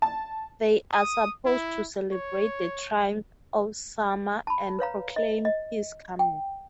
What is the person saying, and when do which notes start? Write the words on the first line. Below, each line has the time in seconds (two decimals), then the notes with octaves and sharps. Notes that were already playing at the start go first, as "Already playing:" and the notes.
They are supposed to celebrate the triumph of Summer and proclaim his coming.
0.02 A5
0.93 D#6
1.46 E4
2.12 C#5
4.47 A5 B5
4.79 B4 C#5 F5 A#5
5.16 D#5
5.45 D#5
6.19 G5